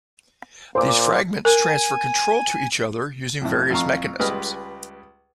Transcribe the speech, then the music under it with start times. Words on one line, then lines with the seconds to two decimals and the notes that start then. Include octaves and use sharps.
These fragments transfer control to each other using various mechanisms.
0.75 A#2 C5 D6
1.45 A#4 G#5
3.41 F2 A2
3.70 A1 F2 F4 F5 A#5 C#6
4.19 C#2 G3 G#3 B4 D#5 F6